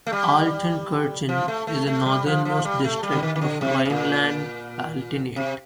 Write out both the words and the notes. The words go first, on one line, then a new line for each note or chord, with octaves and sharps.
Altenkirchen is the northernmost district of Rhineland-Palatinate.
A3
G3
F3
A3
A3
A3
G3
F3
F3
G3
A3
G3
D3
D#3
D#3
D3
C3
C3
A#2
C3